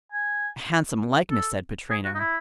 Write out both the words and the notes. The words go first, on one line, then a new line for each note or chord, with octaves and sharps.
"A handsome likeness!" said Pittrino.
G#5
A4
G#4
F#4
D#4
E4